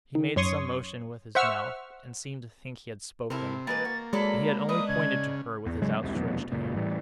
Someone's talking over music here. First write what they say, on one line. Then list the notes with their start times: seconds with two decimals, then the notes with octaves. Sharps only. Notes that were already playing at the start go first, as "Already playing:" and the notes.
He made some motion with his mouth, and seemed to think he had spoken; but he had only pointed to her with his outstretched hand.
0.15 D#3
0.36 F#2 C#5 C6 C#6 D#6
1.35 C5 E5 F#5 C#6 E6 F6
3.30 C3 E4 A4 A#4
3.67 E3 G#3 A#3 B4 A6
3.85 F#4
4.13 F#3 G#3 A4 D5 B5
4.69 D4 D#4 B4 D#6
4.89 C#3 G#6
5.66 E2
5.81 D1 C#3 F#3 G#3
6.02 E1 C2 C3
6.15 F1 E2 B2 F#3
6.52 F#1 C#2 A#2
6.76 A2 E3 G3